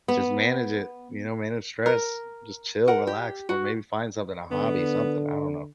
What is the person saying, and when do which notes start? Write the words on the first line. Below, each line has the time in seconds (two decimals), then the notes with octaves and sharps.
just manage it, you know? Manage stress. Just chill, relax, or maybe find something, a hobby, something, I don't know.
0.08 B3
1.86 A#4
2.88 A#4 F#5
3.07 G4
3.49 F#4
4.51 D3 B3